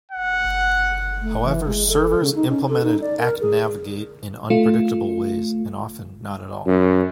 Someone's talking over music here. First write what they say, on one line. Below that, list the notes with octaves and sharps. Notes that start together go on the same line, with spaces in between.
However, servers implemented accNavigate in unpredictable ways and often not at all.
F#5
A3
E3
G#3
A4
C#3
D#4
C#4
A4
D#4
D5
A#4
G#4
A3 F4
F#2